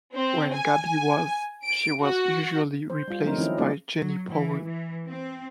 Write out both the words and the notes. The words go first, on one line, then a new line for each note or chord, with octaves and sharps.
When Gaby was, she was usually replaced by Jenny Powell.
C4
G#5
D7
F#4
C5
G3 F4
F3 F#3 A3 C4 D#4 A#4
D#3 F3 C4 C#4 D#4 E4
G3 A#3 C4 D#4 D5
F#3
E3
E3
C4